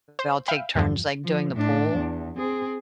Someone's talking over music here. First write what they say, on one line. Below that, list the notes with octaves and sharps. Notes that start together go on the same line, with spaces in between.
we all take turns, like, doing the pool.
C5
E5 F5 G5 B5
E2 G2 E3 F3
F3
A2 D4
E2
C4 G#4